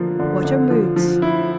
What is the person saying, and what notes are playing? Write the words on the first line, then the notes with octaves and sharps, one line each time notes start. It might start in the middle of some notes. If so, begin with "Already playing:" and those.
What are moods?
Already playing: D3 F3 A#3
D3
D3
F3
F3
E4